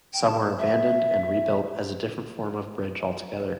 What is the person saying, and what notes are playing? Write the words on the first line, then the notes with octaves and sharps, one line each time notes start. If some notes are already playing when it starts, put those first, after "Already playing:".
Some were abandoned and rebuilt as a different form of bridge altogether.
G5
A5
E5